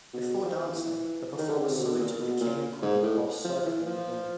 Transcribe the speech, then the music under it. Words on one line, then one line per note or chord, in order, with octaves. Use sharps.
Before dancing, the performers saluted the King and Queen whilst circling the room.
B2
F3
E3
D#3
D3
C#3
C3
B2
A#2
B2
A#2
G#2
A2
F3
E3
F3